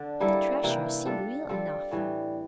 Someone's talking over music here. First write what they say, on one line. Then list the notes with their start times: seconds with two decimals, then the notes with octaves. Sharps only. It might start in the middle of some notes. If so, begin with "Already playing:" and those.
But the treasure seemed real enough.
Already playing: D3 D4
0.20 G3 A#3 E4 A4
0.63 C3 E3 A#3 E4
1.06 G3 D4 F4 A4
1.49 G3 C4 F4 A4
1.91 A2 E3 G3